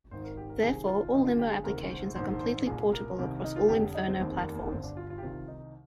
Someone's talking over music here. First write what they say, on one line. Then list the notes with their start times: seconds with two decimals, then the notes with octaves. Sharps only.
Therefore all Limbo applications are completely portable across all Inferno platforms.
0.11 G#1 G#2 D#3 C5
0.24 A#4
0.37 G4
0.49 A#4
0.62 C2 C3 D#3 G#4
0.87 F4
1.13 G1 G2 D3 D#4
1.26 F4
1.39 G4
1.52 G#4
1.64 D2 C3 D#3 A#4
1.90 C5
2.15 A#1 G#2 D#3 C5
2.41 C5
2.66 C2 A#2 G#4
2.93 A#4
3.19 C2 C3 D#3
3.44 D#4
3.56 F4
3.69 F1 F2 D3 G4
3.95 D#4
4.08 C4
4.20 F1 D#2 D#3 C4
4.37 A#3
4.54 A#3
4.71 G1 G2 D3 C4
4.84 D4
4.97 F4
5.10 F4
5.18 G4
5.23 C2 C3 D#3 F4
5.48 D#4